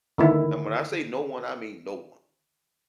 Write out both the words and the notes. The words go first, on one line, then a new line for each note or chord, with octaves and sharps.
And when I say no one, I mean no one.
D3 D#3 E4